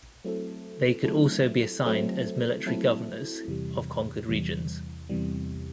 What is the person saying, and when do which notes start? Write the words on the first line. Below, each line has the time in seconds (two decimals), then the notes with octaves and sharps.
They could also be assigned as military governors of conquered regions.
0.24 F#3 A3 C4 E4 A4
1.04 F#3 A3 C4 E4 A4
1.85 F#3 A3 C4 E4 A4
2.66 F#3 A3 C4 E4 A4
3.47 E2 C3 E3 G3
4.29 E2 C3 E3 G3
5.09 E2 C3 E3 G3